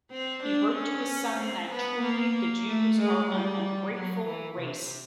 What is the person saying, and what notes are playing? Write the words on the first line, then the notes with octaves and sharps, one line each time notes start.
He wrote to his son that "truly the Jews are an ungrateful race".
C4
D4
C#4
C4
B3
A#3
A3
G#3
G3
F#3
E3
C3